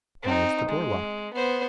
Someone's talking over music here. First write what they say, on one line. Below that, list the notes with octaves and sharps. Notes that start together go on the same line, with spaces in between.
"Why is the door locked?"
C4 D#4
G#3
B3 C5